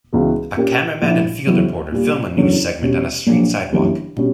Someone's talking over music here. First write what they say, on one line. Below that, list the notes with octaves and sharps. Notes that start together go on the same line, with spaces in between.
A cameraman and field reporter film a news segment on a street sidewalk.
C#2 C#3 E3 B3 F#4
A#2 A#3 C#4 G4 A#4
A#1 A#2 A#3 E4
F#1 F#2 E3 B3 F#4
A#2 G3 A#3
F#1 E2 D3 F#3 C#4
B2 G3 C#4
A#1 A#2 F#3 A#3 D4
G1 F#2 E3 G3 A#3
B2 G3 C#4